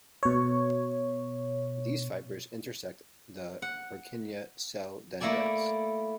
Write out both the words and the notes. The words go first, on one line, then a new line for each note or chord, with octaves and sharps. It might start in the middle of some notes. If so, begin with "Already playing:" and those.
These fibers intersect the Purkinje cell dendrites.
B2 C#5
F#5
A3 A#3 E4 A4 D5 G#5